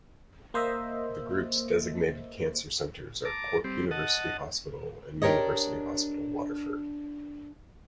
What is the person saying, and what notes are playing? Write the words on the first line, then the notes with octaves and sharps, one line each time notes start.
The Group’s designated cancer centres are Cork University Hospital and University Hospital Waterford.
A#3 C5 D#5 E5
A5 A#5 D6
G3 C4
D#5 F#5 A5
D4 G4 A#4 C#5 D#5